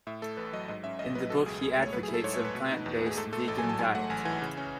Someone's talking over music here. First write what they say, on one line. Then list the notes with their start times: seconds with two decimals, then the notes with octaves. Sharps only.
In the book he advocates a plant-based vegan diet.
0.07 A2 E5
0.22 A3 A4
0.37 A1 B4
0.53 F#3 D#5
0.68 G#2 D#5
0.84 C#4 E5
0.99 A1 D#5
1.15 F#3 B4
1.30 B2 A4
1.46 C#2 G#4
1.62 C#2 G#4
1.78 A3 C#5
1.93 F#3 B4
2.03 G#4
2.08 E4
2.14 A4
2.24 G#2 C#5
2.34 C#5
2.39 A3
2.45 B4
2.55 B2
2.71 D#4
2.86 E2
3.02 A3 G#4
3.17 G#2 A4
3.33 A3 A4
3.48 A1 A4
3.58 G#5
3.64 F#3
3.69 A5
3.79 G#2 G#5
3.95 A3 F#5
4.10 A1 G#5
4.25 E3 G#5
4.42 C#3
4.57 C#4